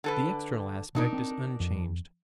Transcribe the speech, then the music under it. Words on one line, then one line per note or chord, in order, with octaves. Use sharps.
The external aspect is unchanged.
D3 A4 B4
B2 D4 D#4 A#4
C4
F2